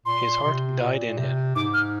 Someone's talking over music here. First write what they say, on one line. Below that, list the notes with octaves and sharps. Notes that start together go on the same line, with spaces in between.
His heart died in him.
A#2 C6
C3
A#2
C3
G#2 D6
F6